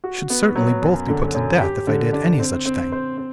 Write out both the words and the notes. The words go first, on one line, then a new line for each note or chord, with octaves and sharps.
'We should certainly both be put to death if I did any such thing.'
F#4
B3
F#3
F#2
D3
F#2
G4
D3
D4
C4
C4
C5
C4